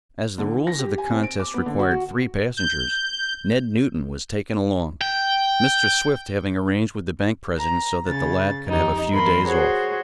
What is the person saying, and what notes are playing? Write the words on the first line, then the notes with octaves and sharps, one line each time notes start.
As the rules of the contest required three passengers, Ned Newton was taken along, Mr. Swift having arranged with the bank president so that the lad could have a few days off.
D3
E3
A#6
G4
G#5
C4
D7
D6
B3
D3
F#4
F#4
G6
G5
A#5
C#3 A6
F2 D#4 G4
E2 A#4 B5 C6
F#4 G#4 C5 C#5